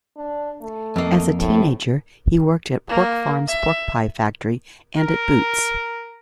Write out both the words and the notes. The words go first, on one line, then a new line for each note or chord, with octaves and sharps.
As a teenager he worked at Pork Farms pork pie factory and at Boots.
D4
A3
F2 A#3 D#5
A2 C3
A#3
E5
A#4